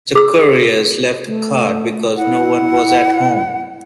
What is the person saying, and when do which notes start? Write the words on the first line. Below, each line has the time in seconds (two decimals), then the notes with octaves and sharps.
The couriers left a card because no one was at home.
0.15 G#4 E6
1.26 A3
2.17 E4 F#5